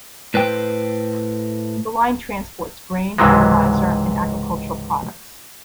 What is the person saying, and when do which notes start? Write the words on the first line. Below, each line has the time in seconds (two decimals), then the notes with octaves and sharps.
The line transports grain, fertilizer and agricultural products.
0.34 A2 B4 C5 G5
3.18 C#2 G#2 C3 E3 F#3 G#3